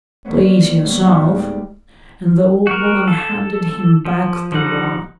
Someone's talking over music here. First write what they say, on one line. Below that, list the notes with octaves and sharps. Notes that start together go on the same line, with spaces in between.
"Please yourself"--and the old woman handed him back the watch.
D3 F3 A#3 B3 C#4
A#3
D3 G3 A#3 B3 C#4
D2 A2 D#4 F#4 E5 F5
G3 G#3 G4
F#4 A#4
A4
F3
F3 G3 D#4 F#5